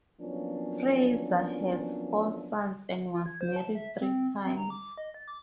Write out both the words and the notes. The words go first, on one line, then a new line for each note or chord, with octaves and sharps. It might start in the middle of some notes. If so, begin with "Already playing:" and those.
Frazier has four sons and was married three times.
F3 F#3 A#3 B3 C#4 D4
F4
G#6
C5
A5
E5
C4
C4
A#5
D6
D#5
A6
D6